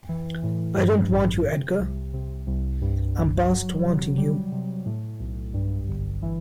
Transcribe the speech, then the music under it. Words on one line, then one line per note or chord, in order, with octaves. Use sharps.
I don’t want you, Edgar: I’m past wanting you.
E3
A2
G2
A1
C3
C2
C3
C2
G2
G1
F#3
C3
G3
C3
A2
B1
G2
G1
E3